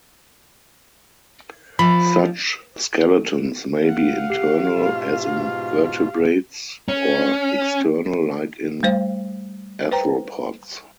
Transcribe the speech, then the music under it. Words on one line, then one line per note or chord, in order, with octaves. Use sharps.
Such skeletons may be internal, as in vertebrates, or external, like in arthropods.
F3 B5
F5 F#5
G4 C7
G#2 B2 F4
C#4
G3 A3 C5 F5
B4 C5 G5 A#5